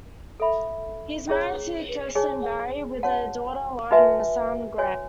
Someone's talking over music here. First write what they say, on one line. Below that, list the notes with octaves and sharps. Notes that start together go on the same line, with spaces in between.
He is married to Kerstin Barry, with a daughter, Lauren and a son, Grant.
A4 E5 B5
C#4 E4 G#4 C#5
D#4 G#4 C#5 G#5
C#4 F#4 C#5 F#5 A5
D#4 F#4 B4 E5 G#5
F#4 C#5 G#5